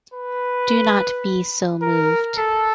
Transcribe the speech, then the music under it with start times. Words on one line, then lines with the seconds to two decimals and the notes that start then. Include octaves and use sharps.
Do not be so moved.
0.14 B4
1.82 A#4
2.38 A4